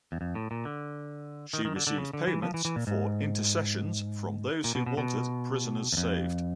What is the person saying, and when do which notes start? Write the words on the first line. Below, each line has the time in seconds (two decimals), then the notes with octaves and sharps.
She received payments for intercessions from those who wanted prisoners saved.
0.12 E2
0.21 F2
0.35 A2
0.51 A#2
0.65 D3
1.53 D#3
1.65 D#3
1.76 D3
1.87 D3
1.98 C#3
2.13 D3
2.27 E3
2.43 F3
2.54 E3
2.65 E3
2.76 A#2
2.87 G#2
4.64 A#2
4.75 B2
4.86 B2
4.97 B2
5.92 E2
5.97 F2